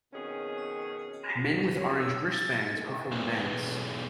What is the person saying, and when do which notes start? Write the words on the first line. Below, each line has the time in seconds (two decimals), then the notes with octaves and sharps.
Men with orange wristbands perform a dance.
0.14 F2 B2 D#3 C#4 G#4
1.76 C#5
1.98 E6
2.31 A6
3.12 B1 E2